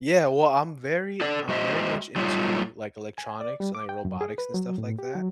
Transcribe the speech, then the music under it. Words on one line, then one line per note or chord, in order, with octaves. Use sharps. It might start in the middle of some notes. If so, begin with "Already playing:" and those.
Yeah. Well, I'm very I'm very much into, like, electronics and, like, robotics and stuff like that.
A4 D5
G#3 F#4 C5 D#5 E5
F#3 G3 A3 D#4 F4 C#5
G#5
D5
G3
D6
G5
F#2
G#4
B4
F#3
A2
G4
F#3